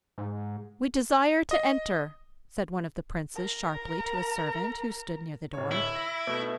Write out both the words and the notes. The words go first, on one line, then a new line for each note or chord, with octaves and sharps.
'We desire to enter,' said one of the princes sharply to a servant who stood near the door.
G#2
D#5
A#4 A#5
D1 C#5
E4
A#6
B2 A3 B3